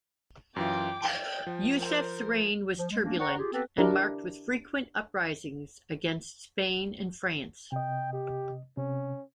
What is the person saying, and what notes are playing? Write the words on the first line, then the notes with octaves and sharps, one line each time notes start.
Yusef's reign was turbulent and marked with frequent uprisings against Spain and France.
F#2 E3 F4 G5 D6
G5 D7
F3
A#4 C5
F3
G#3
A3 A#3 C#4 D4
C5 D5 F#5 G5 A#5 C#6
F4 G4 G#4
B3 C4 G4 A4 B4
D4 E4 G4 A#4
C3 D#5 G5
G4
C3 C#4